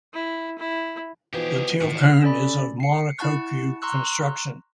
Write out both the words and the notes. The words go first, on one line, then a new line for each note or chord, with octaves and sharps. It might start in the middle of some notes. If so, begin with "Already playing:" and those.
The tailcone is of monocoque construction.
E4
E4
B2 E3 F3 D#4 G4 G#4 B4 G5
A2 D#3 E3
C#4 A4 D5 B5
C7 C#7
E4 F#5 A5 C#6
A#5 C6 C#6 E6 F#6